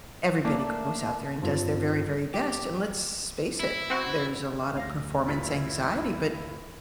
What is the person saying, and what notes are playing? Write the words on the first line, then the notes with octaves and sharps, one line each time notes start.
Everybody goes out there and does their very, very best, and let's face it, there's a lotta performance anxiety, but
A3 A#3 D4 A5
G2 F3 C4 F4
G4
E4
C4 F#4 C5
D2 F5 A#6
A#1 G2 E4 B6